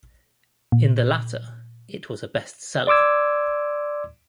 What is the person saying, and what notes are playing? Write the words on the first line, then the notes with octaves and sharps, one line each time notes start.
In the latter, it was a best-seller.
A#2
D5 C6 D6 E6 G#6